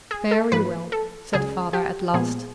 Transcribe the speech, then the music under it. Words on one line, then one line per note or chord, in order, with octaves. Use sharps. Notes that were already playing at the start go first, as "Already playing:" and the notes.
"Very well," said Father, at last.
G#4
A4
G#2 F3 A#3 B4
A4
C#2 C#3 F#3 G#4
G4
A#2 F3 G#3 B3 G#4